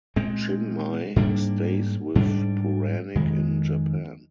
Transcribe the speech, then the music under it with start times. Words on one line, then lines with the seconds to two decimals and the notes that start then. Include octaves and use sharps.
Chinmay stays with Puranik in Japan.
0.16 A#2 G#3 C4
1.16 G#2 G3 A#3 D4
2.15 G#2 G3 D4
3.15 F2 D#3 G#3